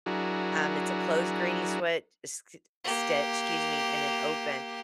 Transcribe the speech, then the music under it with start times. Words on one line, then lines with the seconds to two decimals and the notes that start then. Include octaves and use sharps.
um, it's a closed granny sweat s s stitch, excuse me, and an open.
0.06 F#3 D4 E4 F#4 G#4 A#4
2.85 A#3 G4